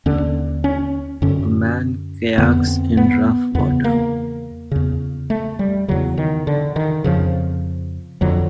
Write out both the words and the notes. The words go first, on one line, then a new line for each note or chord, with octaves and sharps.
A man kayaks in rough water.
D#2 D3 C#4
C#4
F#2 D3 C#4
F2 D3 B3
C4
B3
E2 C#3 B3
A#3
E2 C#3
A3
G3
E2 C#3 F#3
D#3
D3
D#3
F2 C#3 F3
F2 D3 F#3